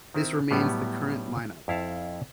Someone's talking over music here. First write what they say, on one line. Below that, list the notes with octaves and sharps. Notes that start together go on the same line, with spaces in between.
This remains the current lineup.
D#3 C4 E4
A2 F#3 G3 B3 G4 F#5
F2 E4 F5 A5